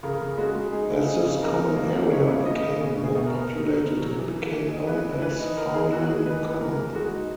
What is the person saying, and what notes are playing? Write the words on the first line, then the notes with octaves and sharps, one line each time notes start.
As this common area became more populated it became known as Farnham Common.
C#3 A#4
C#3
G#3 F#4
G#3
D#4 G#4
C#3
D#4 G#4
C#3
D#4 A#4
D#4
A#3
A#3
D#4 C#5
C#3
A#3 D#5
C#3
B2 G#4
B2
G#4
B2
A#4
B2
B2
B2
B2
F#3
E3
E3
E3
D#4
E3 B4
E3
E3 B4
D#4
D#4 A#4
D#4 G#4
E3 F#4
E3 G#4
D#4 B4
E3
E3 A#4
E3
G#3 F#4
D#4